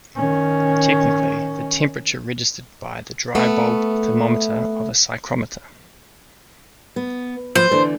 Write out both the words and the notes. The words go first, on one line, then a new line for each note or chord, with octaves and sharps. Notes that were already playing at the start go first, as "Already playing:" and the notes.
Technically, the temperature registered by the dry-bulb thermometer of a psychrometer.
D#3 C#4
A3 B3
B3
F3 F4 B4 C5
D3 E3 A3